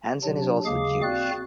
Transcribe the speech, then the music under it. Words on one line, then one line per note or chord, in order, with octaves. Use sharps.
Hansen is also Jewish.
C3 F#3 D4
D#2 C#3 G#3 G#4 F5 D6
C4 F#4 D5 F5 F#6